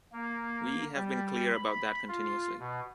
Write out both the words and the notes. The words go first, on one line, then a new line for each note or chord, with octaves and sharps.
We have been clear about that continuously.
A#3
G3
B5
F4
B2